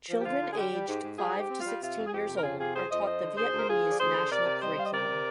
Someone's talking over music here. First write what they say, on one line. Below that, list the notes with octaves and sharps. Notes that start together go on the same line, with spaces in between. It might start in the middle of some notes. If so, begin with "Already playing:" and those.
Children aged five to sixteen years old are taught the Vietnamese national curriculum.
F3
G4
D3 F4
D3
G#4
G3 G4
G3
G#2
G#2
G3 F4 G#4
G#2 G4
C4
F4
G3
C3 F4
F2
G#4
F2 G4
C3
A#4
F2 F4 G#4
C3 F4 G#4
F2 G#4 C5
F2 C5 D#5
F3 C5 D#5
D3
D2 G#4 C5
D2 A#4
D2 F4 G#4
F3
D5
D2 G#4 C5
D3
C3 A#4 D5
C3
G3 C5 D#5
G3 F5
D#5
C3 A#4 D5
C3